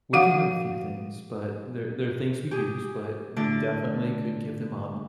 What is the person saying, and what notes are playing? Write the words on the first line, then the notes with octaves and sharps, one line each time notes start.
we do have a few things, but they're they're things we use, but we definitely could give them up
F3 F#4 F5 F#5
G4 G#4
D3 A3 D4 D5